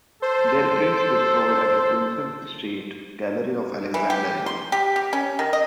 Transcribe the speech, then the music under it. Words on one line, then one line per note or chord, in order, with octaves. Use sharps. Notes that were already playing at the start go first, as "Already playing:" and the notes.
Their prints were sold at the Princes Street gallery of Alexander Hill.
A4 C5
E3
G4
C6
G4
G4
C#4
D#3
D#5